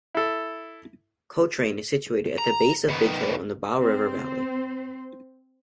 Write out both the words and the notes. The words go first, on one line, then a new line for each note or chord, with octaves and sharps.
Cochrane is situated at the base of Big Hill in the Bow River Valley.
E4 A4
A#5
D#3 B3
C4 C5